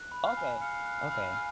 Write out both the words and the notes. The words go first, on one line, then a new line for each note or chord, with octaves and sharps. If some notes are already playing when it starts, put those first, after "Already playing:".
Okay, okay.
Already playing: F#6
B5
F5
G#5
F5 C#7
F#6
B5
G#5